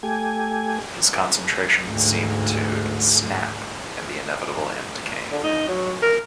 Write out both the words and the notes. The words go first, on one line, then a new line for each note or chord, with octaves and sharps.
His concentration seem to snap and the inevitable end came.
A3 G4 G#5
D2 G#2
D3
D#4
F#3
A#4